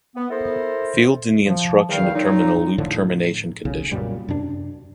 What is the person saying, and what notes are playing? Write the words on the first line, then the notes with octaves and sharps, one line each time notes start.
Fields in the instruction determine the loop termination condition.
B3
E4 A4 A#4 C5
F3
E2 D#3 G3 F5 G5
A#2 F#3 D#4
A2 D3 F3
B1 C#3
F#2 A#2 G3
F#2 C3 D4